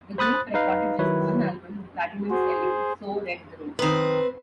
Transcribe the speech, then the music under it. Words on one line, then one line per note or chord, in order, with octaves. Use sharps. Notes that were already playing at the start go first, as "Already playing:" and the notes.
The group recorded just one album, the platinum-selling "So Red the Rose".
C5 B5 D#6 F#6 A6
D#4 B4 F5
D#3 F#3 E4 B4 C#5
F#4 G#4 C5
F#2 D#3 C4 B4